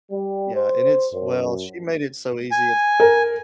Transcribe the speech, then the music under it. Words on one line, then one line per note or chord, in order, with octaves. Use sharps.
Yeah, and it's well, she made it so easy it's
G3
C5
F#2
G#5
A#4